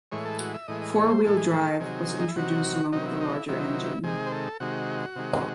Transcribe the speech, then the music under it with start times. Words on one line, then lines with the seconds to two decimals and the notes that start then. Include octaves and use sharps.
Four-wheel-drive was introduced along with the larger engine.
0.12 A2 E3 G#3 C#5
0.25 A4
0.40 F#4
0.54 E5
0.68 A2 E3 G#3 D#5
0.81 D#5
0.96 C#5
1.09 C5
1.24 A2 E3 G#3 A4
1.37 G#4
1.51 A4
1.80 C3 D#3 F#3 G#4
2.20 D#4
2.28 E4
2.36 C3 D#3 F#3 F#4
2.92 C3 D#3 F#3 D#4
3.06 E4
3.21 D#4
3.34 E4
3.48 C3 D#3 F#3 E4
4.04 C3 D#3 G#3 G#4
4.26 C5
4.32 A4
4.60 C3 D#3 G#3 F#4
5.16 C3 D#3 G#3